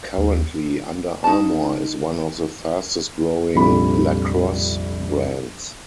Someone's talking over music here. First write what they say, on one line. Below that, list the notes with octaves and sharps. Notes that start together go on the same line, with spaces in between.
Currently Under Armour is one of the fastest growing lacrosse brands.
D#2
D#4 A5
F1 A#1 F2 G3 B5